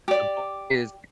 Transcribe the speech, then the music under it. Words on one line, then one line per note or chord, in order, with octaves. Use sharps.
the book is,
G4 D5